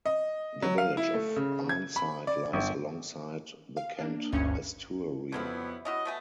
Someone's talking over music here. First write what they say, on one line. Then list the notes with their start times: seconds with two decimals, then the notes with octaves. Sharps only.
The village of Arnside lies alongside the Kent estuary.
0.06 D#5
0.62 F#3
0.78 F5
0.97 E4
1.14 A3
1.36 C#3
1.69 G#6
1.96 B5
2.27 D5
2.53 G1
3.77 F5
3.98 A#3 D4
4.32 G1 D2 G2 C#4 G#6 C#7
5.32 F2 D3 F#3 B3 E4
5.85 C#4 E4 F#4 D#5
6.05 B2 A3 G#5